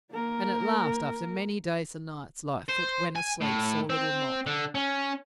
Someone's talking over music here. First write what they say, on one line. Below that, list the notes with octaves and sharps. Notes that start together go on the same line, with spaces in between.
And at last, after many days and nights, Lightfoot, when asleep, saw Little Mok.
A#3 A#4
C5
G#5
A2
C4
D3
C#4